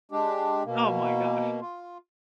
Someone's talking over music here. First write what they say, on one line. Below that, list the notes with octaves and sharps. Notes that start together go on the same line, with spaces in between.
Oh my gosh.
G#3 D4 G4
B2 A#3
F4